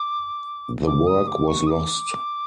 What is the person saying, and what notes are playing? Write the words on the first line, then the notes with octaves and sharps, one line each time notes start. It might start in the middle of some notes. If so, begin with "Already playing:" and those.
The work was lost.
Already playing: D6
D6
D#6
D6
C#6
D#6
D6